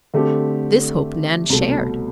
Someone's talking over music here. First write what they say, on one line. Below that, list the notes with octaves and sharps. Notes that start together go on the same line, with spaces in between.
This hope Nan shared.
D3 A3 C4 G4
C2 B2 A3